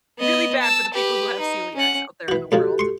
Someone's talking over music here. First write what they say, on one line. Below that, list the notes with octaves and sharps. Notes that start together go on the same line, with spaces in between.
really bad for the people who have celiac's out there in the world."
B3 D#5
A5 E6
G4 B4
D#4
C#4 F#5
E3 F#4
D2 C#3 F3 F#4 G4 A4
C6 C#6